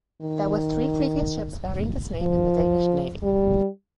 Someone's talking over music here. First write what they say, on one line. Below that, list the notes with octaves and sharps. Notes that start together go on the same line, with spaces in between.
There were three previous ships bearing this name in the Danish navy.
D#3
F3
G3